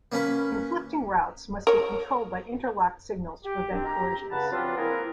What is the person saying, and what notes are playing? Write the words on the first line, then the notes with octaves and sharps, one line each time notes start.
Conflicting routes must be controlled by interlocked signals to prevent collisions.
A#3 C#4 B4
A#4 C#5
G4
D#3 C4 D4
G4 A#5
C#2 G2 C#3 F#5 A5 B5
F3 F#3 C4 D4 F4 B4
A#3 C4 E4 G#4 A#4